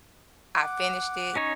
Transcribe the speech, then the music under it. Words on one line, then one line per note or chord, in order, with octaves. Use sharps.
I finished it,
F#5 D6
C#4 D#4 C#5